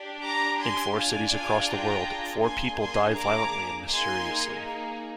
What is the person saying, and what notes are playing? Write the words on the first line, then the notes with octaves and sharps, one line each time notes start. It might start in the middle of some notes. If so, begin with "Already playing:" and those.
In four cities across the world, four people die violently and mysteriously.
Already playing: D4 G4
A#5 D6
G#5 C6
D4 F4 G#4 F5 G#5
F5 G#5
G5 A#5
A#3 D4 G#4 G#5 C6
G#5 C6
A#5 D6
A#3 D#4 G#4 G#5 C6